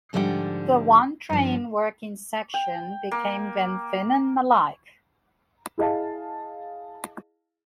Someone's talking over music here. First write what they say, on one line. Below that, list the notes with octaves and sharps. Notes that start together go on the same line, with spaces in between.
The One Train Working section became Glenfinnan - Mallaig.
G#2 D3 F3 G3 F#5 G5
G2 F3
G5
A#3
E4 G#4 D#5 F5 A5